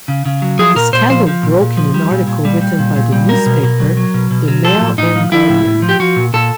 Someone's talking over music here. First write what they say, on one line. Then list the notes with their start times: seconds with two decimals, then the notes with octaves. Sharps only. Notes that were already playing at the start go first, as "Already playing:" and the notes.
The scandal broke in an article written by the newspaper the Mail and Guardian.
0.08 C#3
0.26 C#3
0.42 F#3
0.59 F3 G#4
0.76 A#2 A#4
0.93 A#2 C5
1.10 F3 C5
1.27 F3
1.43 A#2
1.60 A#2
1.77 F3
1.94 G3
2.11 A#2
2.27 A#2
2.45 G3
2.61 G3
2.79 A#2
2.96 A#2
3.12 G3
3.29 F#3 A#4
3.46 B2
3.63 B2
3.80 F#3
3.97 F#3
4.14 B2
4.31 B2
4.48 F#3
4.64 F3 A4
4.81 A2
4.98 A2 D#4
5.15 F3
5.32 F3 E4
5.49 A2
5.66 A2
5.82 F3
5.89 G4
6.00 F3 F#4
6.16 A#2
6.33 A#2 A4